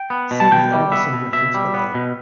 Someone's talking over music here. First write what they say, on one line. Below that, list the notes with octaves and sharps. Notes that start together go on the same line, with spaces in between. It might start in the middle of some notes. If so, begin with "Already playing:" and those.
See the Arveson reference below.
Already playing: G5
B3
B2
A5
B2 G5
G3
B3 E5
B2
B2 E5
G3
B3
B2